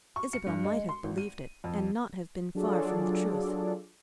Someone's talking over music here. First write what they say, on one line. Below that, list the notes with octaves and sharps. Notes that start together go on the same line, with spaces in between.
Isabel might have believed it and not have been far from the truth.
C#6
C#7
G2
G#3
C6
G#1
D#7
F2
F#3 D4 F4 G#4 A4 D5